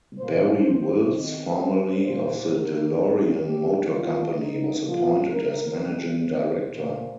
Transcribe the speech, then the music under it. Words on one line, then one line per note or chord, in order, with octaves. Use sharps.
Barrie Wills, formerly of the DeLorean Motor Company, was appointed as managing director.
A#2 A#3 C5
C5
D#3 C4 D#5
C5
A#2 A#3 C5
A#4
C3 G3 A#3
G4
D#3 G3 C4 F4
D#4
A#2 F3 A#3 F4
A#4
C3 G3 C4 A#4
C5
A#2 A#3